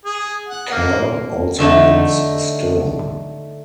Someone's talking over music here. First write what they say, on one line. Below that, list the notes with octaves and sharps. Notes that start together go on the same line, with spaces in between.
'Kal' also means 'stone'.
G#4
F#5
A#3
D3 A3 D4 D#4